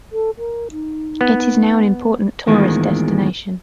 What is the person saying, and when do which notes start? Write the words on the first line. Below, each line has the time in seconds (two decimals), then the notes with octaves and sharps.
It is now an important tourist destination.
0.12 A4
0.39 A#4
0.72 D#4
1.21 B3
2.47 E2 A2 D#3 F3 G#3 A#3